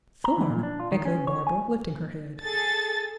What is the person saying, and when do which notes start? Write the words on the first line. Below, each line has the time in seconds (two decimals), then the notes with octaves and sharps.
"Thorn!" echoed Barbara, lifting her head.
0.24 A#5
0.38 E3
0.50 A#2
0.63 D4
0.80 F4
0.92 D#3
1.05 C#4
1.27 C#5
1.47 G#5
2.42 G#4 A4 A6